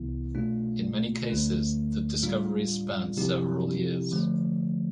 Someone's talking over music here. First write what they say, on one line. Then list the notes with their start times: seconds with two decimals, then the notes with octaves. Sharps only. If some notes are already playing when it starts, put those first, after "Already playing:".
In many cases, the discoveries spanned several years.
Already playing: C2 C3 E3 B3 E4
0.35 B2 A3 D4 F4
1.29 D2 D3 A3 D4
2.22 A2 G3 D4 F4
3.17 C3 F3 C4 E4 G4
4.11 D3 F3 A3